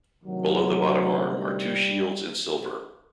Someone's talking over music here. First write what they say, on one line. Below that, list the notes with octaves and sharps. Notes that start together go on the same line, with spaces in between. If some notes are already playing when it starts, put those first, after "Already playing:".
Below the bottom arm are two shields in silver.
D2 C3 D#3 F#3
G3